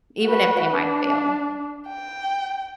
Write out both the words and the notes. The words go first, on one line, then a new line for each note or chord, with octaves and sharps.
even if they might fail.
F#4 B4
D4
G5